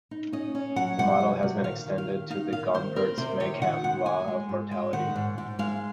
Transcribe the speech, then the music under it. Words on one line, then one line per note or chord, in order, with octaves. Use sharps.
The model has been extended to the Gompertz-Makeham law of mortality.
D#4
C#4 D#5
C#4
F#3 F#5
C3 F#5
F#3
C3
D#3 F5
D#3
F5
D#3
D#4 F5
D#3 F5
D#3 C5
C4 A#4
C3 C5
D#3 C#5
D#3 F#5
G#3 F#5
G#3 G#5
G#3
G#2
G#3
D#3 F#5
G#2
G#2
G#3 F5